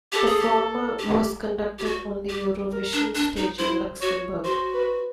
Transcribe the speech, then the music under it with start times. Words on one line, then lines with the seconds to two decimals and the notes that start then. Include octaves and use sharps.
The former was conducted on the Eurovision stage in Luxembourg.
0.12 G4 A4
0.26 G#4
0.40 G4
0.99 G4
1.79 G4
1.85 F#4
2.29 G4
2.72 A#4
2.93 D4
3.15 D4
3.37 D#4
3.59 E4 C5
4.02 F#4 C#5
4.44 F#4 C5
4.74 B4